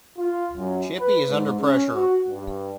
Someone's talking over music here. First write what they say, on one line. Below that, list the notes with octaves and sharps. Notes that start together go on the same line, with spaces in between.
Chippy is under pressure.
F4
F#2
B4
G#2
C#4
F#4
G2